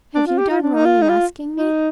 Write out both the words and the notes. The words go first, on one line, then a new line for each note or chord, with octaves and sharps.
Have you done wrong in asking me?
D4
F4
G4
F4
D4
D#4
F4
D#4
F4
D#4